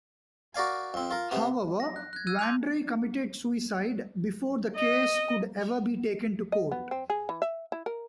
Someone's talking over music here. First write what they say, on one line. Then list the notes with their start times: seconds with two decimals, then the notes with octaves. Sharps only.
However, Vandrei committed suicide before the case could ever be taken to court.
0.55 F#4 A#4 D5 F5 G#5
0.94 F2 C4
1.10 F4 A#4
1.31 C3 B3
1.80 A#6
1.96 F#6
2.13 F#6 G#6
2.27 E6 F#6 G#6 D#7
2.39 C6 D6 G6 D#7 F7
4.76 D#5
6.52 D#5
6.72 B3
6.91 C4
7.10 G#4
7.29 E3
7.42 E5
7.72 E4
7.86 A#4